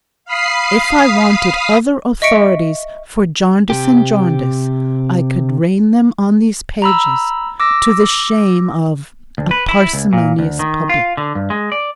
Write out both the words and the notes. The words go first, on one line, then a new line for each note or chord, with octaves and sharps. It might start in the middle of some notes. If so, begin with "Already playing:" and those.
If I wanted other authorities for Jarndyce and Jarndyce, I could rain them on these pages, to the shame of--a parsimonious public.
F5 B5 D#6 C7
D#5 E5 C#6 B6 C#7 D7
C3 G4
A#5 B5 E6
D6 E6 A#6
D2
B4
E4
C#2
A#2
D2
D#3
F4
D3
G2
G#3
D5